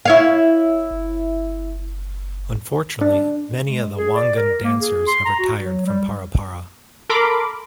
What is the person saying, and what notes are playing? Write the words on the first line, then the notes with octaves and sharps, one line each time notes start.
Unfortunately, many of the wangan dancers have retired from ParaPara.
E4 C#5 F5
D4
G#3
G#4
D5
A#4
A#3
G#4
C6
A#5
F#4
F#3
G3
A4 A#4 B5 C6 D6